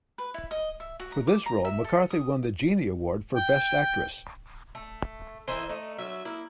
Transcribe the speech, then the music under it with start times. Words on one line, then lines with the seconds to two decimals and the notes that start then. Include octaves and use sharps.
For this role, McCarthy won the Genie Award for Best Actress.
0.18 B4
0.34 E4
0.51 D#5
0.80 E5
1.00 F#4
1.12 A#5
1.27 D6
1.46 A#5
1.65 E5
1.84 A4
2.10 D#6
3.34 G5
4.75 A3
5.47 E3 D#4 E4 C5
5.69 A3 D#4
5.98 F#3 E5
6.25 A#3 E4